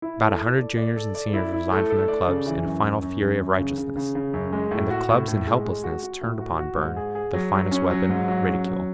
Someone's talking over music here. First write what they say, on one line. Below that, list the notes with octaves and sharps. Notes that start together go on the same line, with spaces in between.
About a hundred juniors and seniors resigned from their clubs in a final fury of righteousness, and the clubs in helplessness turned upon Burne their finest weapon: ridicule.
E4
A4
A4
D5
D5
A4
D5
E4
E4
A3
A4
D5
C#3
E3
F#2
F#2
F#2
F#2
F#2
C#3
C#3
C#3
C#3
F#2
G#3
A2
F#4
A2
A2
G#3
G#3
F#4
F#4
A2
F#4
F#4
G#2
G#4
G#4
F#3
F#3
C#4
F#3
G#2
F#3
C#4
F#3